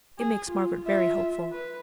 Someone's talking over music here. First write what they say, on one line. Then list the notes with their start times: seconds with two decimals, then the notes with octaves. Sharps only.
It makes Margaret very hopeful.'
0.19 G#4
0.50 F4
0.86 F4 E5
1.51 B4